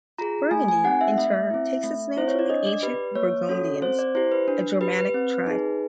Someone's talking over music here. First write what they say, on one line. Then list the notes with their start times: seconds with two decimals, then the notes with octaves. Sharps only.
Burgundy in turn takes its name from the ancient Burgundians, a Germanic tribe.
0.18 F4 G#4 A#5
0.51 A3 G#5
0.68 G#5
0.84 C4 D#4 G4 F#5
1.01 E5
1.18 A3 E5
1.51 C4 E4
1.83 A3
2.17 C4 E4 C5
2.28 C#5
2.39 D5
2.50 D4 D#5
2.66 D5
2.83 G4 B4
3.15 A#3 C#5
3.49 C#4 F#4 A4
3.82 C4 C5
3.99 D5
4.15 E4 G4 C5
4.32 B4
4.48 D4
4.81 G4 B4
4.98 B4
5.14 C4
5.47 D#4 G#4